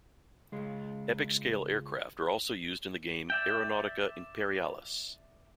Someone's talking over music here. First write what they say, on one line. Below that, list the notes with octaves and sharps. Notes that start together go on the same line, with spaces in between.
Epic-scale aircraft are also used in the game "Aeronautica Imperialis".
C#2 G#3
D5 E5 G5